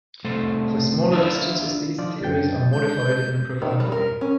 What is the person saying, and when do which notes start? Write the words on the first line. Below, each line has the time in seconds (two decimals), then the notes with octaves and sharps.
For smaller distances these theories are modified in a profound way.
0.24 C2 A3 A4 C5
1.12 D4 F4 D5 E5
1.98 F3 D#4 F4 D5
2.23 F#2 C#3 G5 G6 A6
2.72 G#3 G6
3.62 D#3
3.80 G3
3.92 A#4
4.21 C#4